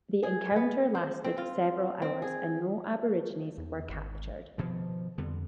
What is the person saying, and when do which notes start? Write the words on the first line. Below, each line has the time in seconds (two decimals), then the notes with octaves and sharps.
The encounter lasted several hours, and no Aborigines were captured.
0.23 G#4
0.56 B3
0.95 C5
1.24 C4
1.38 F4
2.02 C4
2.22 G#4
3.58 E2
3.89 G#1
4.58 G2 B2 D#3 F3
5.18 F2 D3 G3 B3